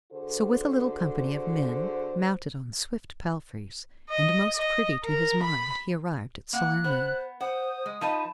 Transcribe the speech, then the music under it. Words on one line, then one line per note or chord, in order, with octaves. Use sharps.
So with a little company of men, mounted on swift palfreys, and most privy to his mind, he arrived at Salerno.
D3 F#4 G#4 A4 C5
D#5
D#5
A#4
B5
A#3 F#5 F#6
B3 C5
C5 F#5 D#6
G#3
F3 D#4 B4 A5